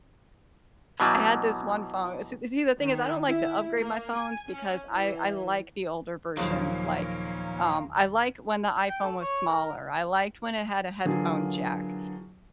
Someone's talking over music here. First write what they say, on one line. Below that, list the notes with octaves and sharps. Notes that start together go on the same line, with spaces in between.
I had this one phone s see, the thing is I don't like to upgrade my phones because I I like the older versions, like, um, I like when the iPhone was smaller, I liked when it had a headphone jack,
B2 E3 F#3 G3
D#3
E4
A#3
G#5
C#4
E3
D#2 A#2 C#3 F3 F#3 A#3 C#4 D#4
G5
A4
C#5
A#4
D3 E3 F#3 A#3 F4 G#4